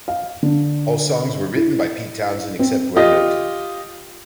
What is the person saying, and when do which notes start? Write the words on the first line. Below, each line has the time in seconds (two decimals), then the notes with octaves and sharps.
All songs were written by Pete Townshend except where noted.
0.08 F5
0.43 D3
1.56 E4
2.59 C4
2.96 F4 G4 D#5